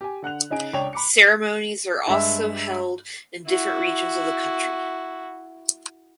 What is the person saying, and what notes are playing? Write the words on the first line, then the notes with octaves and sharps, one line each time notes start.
Ceremonies are also held in different regions of the country.
G4 G#5
D3 F#5 F#6 F7
C#3 D#4 G#5 D7
C#2 D4 C#5 G5 F7
B5 D6 C#7
G2 G#3 E5
E4 F#4